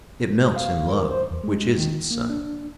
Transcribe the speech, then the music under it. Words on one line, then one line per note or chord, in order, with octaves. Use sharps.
It melts in love, which is its sun.
F5
A#4
C5
E2
G#3
D#3
A#3
D4